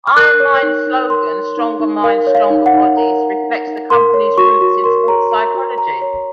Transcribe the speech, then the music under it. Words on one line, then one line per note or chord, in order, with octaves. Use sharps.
IronMind's slogan, "Stronger Minds, Stronger Bodies," reflects the company's roots in sports psychology.
F6
A#4 F#6
C#5
D#4
D#4
A#4 C6
C#5
D#4
D#4
A#4 F5
C#5
F5
D#4
F#5
D#4
A#4 A#5
C#5
D#4
D#4
A#4 C6
C#5
F#4 C#6
F#4
A#4 C6
C#5 A#5
F#4 A#5
F#4
A#4 A#5
C#5